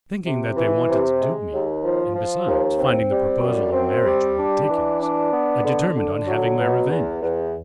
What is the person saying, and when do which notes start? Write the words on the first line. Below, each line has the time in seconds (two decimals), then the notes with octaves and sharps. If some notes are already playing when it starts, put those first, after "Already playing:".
Thinking that they wanted to dupe me, and besides, finding the proposal of marriage ridiculous, I determined on having my revenge.
0.25 C3
0.56 E3
0.88 C3
1.21 G#3
1.52 D#2
1.84 F3
2.15 F3
2.46 D#2
2.78 C4
3.10 G3
3.42 F#2
3.73 C4
4.05 G3
4.37 D4
4.69 E3
5.00 D4
5.31 B3
5.64 D3
5.94 D3
6.26 F#3
6.58 B2
6.90 E2
7.21 E2